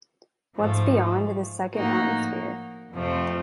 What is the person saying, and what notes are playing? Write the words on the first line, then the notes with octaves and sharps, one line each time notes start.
What’s beyond this second atmosphere?
G#2 F3 A3
A2 F3 A#3 D#4 F#4
F2 C3 F3 A3 C4